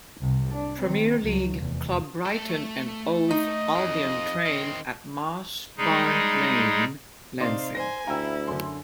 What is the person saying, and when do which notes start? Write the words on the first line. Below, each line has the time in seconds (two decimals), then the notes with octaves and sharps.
Premier League club Brighton and Hove Albion train at Mash Barn Lane, Lancing.
0.20 C2 C3
0.53 D4
0.82 D#3 C4
1.23 C#2 F#3
1.59 F1 E2
2.26 A3 A5
3.31 D#4 D#5
3.75 F2
4.46 D#3 C4
5.78 G3 G#3 D#4 G#4
7.40 C3 D#4 C5 D5 F5 C6
7.75 C5 G#5 A#6
8.07 D2 E4 F5 G5 A#5 E6
8.47 F#2 D3 C6